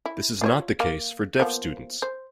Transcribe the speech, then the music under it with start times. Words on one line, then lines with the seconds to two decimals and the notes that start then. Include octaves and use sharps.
This is not the case for deaf students.
0.06 E4
0.41 F4 C5 C#5
0.80 A#3 F5
1.40 F3 A#3 B3
2.02 C5